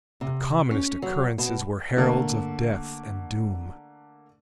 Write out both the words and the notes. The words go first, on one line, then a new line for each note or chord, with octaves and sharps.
The commonest occurrences were heralds of death and doom.
C3
C#4
F#3
B2
D3 A3 A#3